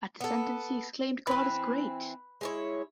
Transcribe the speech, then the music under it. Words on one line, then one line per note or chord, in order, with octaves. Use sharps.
At the sentence, he exclaimed God is great!
B3 A4
E3 C4 B4
G#3 E4 C#5